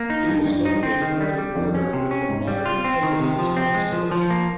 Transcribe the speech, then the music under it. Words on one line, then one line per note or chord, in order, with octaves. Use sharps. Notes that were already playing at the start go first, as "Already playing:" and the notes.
It is located near the border with the modern Pegasus constellation.
Already playing: A#3
D#4
G2
G2
D#4
C4
D#3
G3
G3
F2
C#4
C3
C#4
G#2
G3
F4
C4
D#3
C3
F3
C4
G#3
F3
F3
A#3